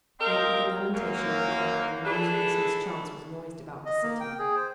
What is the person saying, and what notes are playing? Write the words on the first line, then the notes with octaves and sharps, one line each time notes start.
Great were the lamentation and the cry when the news of this mischance was noised about the city.
C4 A#4 D#5 F5 G5
F#2 A#3
E3 D4 G#4 A4
D#5
A#3
G5
G#4
C5